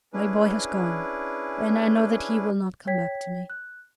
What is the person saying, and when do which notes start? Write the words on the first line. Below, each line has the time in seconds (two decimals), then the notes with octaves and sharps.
My boy has gone, and I know that he will not come back to me.
0.13 C#4 D4 E4 G#4 B4
2.87 C#5 G5 G#6 B6
3.50 F#6